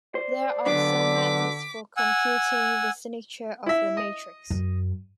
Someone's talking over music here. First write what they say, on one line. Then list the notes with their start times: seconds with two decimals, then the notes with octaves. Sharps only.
There are some methods for computing the signature of a matrix.
0.15 C5 D5
0.66 D3 F#3 B3 D4 D6 B6
1.97 F#5 G#5 E6
3.66 E4 E5
3.97 D#5
4.50 F#2